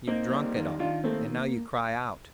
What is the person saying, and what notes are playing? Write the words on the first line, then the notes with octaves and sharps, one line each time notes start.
You've drunk it all and now you cry out.
A#3 C4 D#4
G3
D#3
D#3 D4 F4
A3 A#3 C4